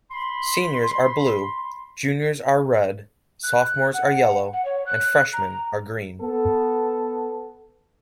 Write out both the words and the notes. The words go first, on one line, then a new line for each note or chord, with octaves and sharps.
Seniors are Blue, Juniors are Red, Sophomores are Yellow, and Freshmen are Green.
B5 C6
F#6
F#5
F#5
C#5
F#6
A#5
B3 A4